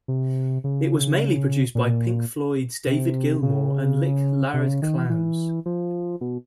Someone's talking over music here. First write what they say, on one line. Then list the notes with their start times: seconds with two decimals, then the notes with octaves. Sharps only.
It was mainly produced by Pink Floyd's David Gilmour and Nick Laird-Clowes.
0.08 C3
0.64 C#3
1.75 A#2
2.87 C3
3.43 C#3
4.54 C3
4.68 C#3
4.82 D#3
4.96 E3
5.10 E3
5.66 F3
6.21 B2